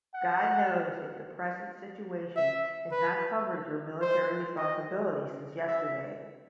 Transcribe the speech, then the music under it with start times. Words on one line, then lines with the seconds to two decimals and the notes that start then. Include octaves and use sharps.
God knows if the present situation has not covered your military responsibility since yesterday.
0.15 F#5
2.37 E5
2.92 B4
4.02 C5
4.57 D#5
5.68 E5